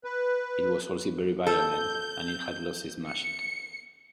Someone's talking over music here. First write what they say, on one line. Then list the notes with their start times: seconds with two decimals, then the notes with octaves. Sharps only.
It was also very violent and it had lost its magic.
0.04 B4
1.47 A4 G6
3.06 C#7